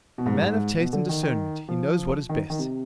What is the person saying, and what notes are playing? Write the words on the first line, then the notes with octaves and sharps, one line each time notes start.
A man of taste and discernment, he knows what is best.
B2
G#2
G2
G#2
B2
D3
D#3
D#3
F3
D#3
D#3
C3